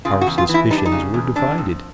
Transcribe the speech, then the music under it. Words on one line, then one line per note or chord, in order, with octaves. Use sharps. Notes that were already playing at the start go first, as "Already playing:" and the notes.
Our suspicions were divided.
C#3 F4
F#4
E2
F4
E3
E4
G3 D#4
D4
D#4
C#3
E2
C3 D4
F2